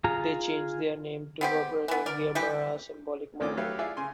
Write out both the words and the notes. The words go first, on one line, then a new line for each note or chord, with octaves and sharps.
They changed their name to Verbroedering Geel-Meerhout, a symbolic merger.
F4 G#4 A#5
B3 C4 G4
E3 B3
A#4 D5
E3 G3 G4
D2 D#3 C4 C#4 F4 D6
F#3 A3 G4 B4 C#5 F5
E4 F4 G#4 D5 E5 F5
C#3 G#5 C6